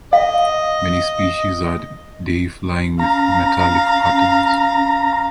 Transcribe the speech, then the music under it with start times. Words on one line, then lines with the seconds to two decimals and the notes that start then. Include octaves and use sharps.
Many species are day-flying with metallic patterns.
0.13 D#5 F5
3.00 C#4 F5 A#5